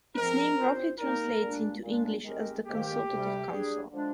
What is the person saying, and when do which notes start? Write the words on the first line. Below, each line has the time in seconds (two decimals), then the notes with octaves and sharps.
Its name roughly translates into English as "the Consultative Council".
0.16 G#2 F3 C4 A#4
0.58 G3 C4 F4 C5
0.99 G3 A#3 D#4 A#4
1.41 A#2 G3 A#3 D4
1.83 A#2 G#3 D4
2.25 D#3 G#3 C4 G4 A#4
2.66 G#2 D#3 A#3 G4
3.08 D2 C3 G3
3.50 G3 D4 G#4
3.91 D3 F3 G#3 D4